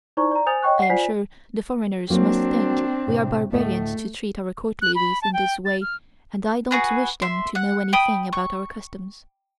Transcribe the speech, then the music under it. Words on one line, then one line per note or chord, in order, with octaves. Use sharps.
I am sure the foreigners must think we are barbarians to treat our Court ladies in this way and I don't wish them to know anything about our customs.
D#4 E4 C5 D5 A#5 C#6
D5 A#5
C5 G#5 D#6 G6 A6 F7
C#5 D#5 G5 C#6 F#6
F#5 C7
F4 C5 D5 G#5 B6
F#3 A#3 C4 D4
A2 C3
D2 A2 A3 D#5
F#6
B5
A5
G5
A6
F6
F#4 G#4 B4
E5 C6
F#5
G5 B5 D#6
C#6